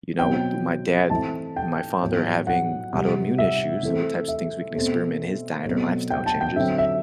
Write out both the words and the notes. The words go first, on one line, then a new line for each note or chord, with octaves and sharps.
you know, my dad, my father, having autoimmune issues and what types of things we experiment in his diet or lifestyle changes
B2 F#3 C4 G5
E3 A3 C4 A5
G5
A2 F#3 B3
F#5
C3 G3 C4
E5
E3 A3 C4
E5
B2 A3 C4
B2 F#3 A3 C4
G5
A5
G5
D3 F#3 C4 E5
E5